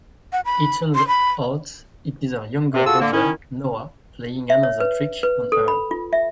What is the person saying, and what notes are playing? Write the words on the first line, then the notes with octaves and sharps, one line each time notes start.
It turns out it is her younger brother, Noah, playing another trick on her.
F#5
B5
C6
B5
C3
F4 F#4 G#4 A4 A5 E6
D3 A#3
D#3 C#4 E4
E5
C#5
B4
B4
A4
B5
F4
E5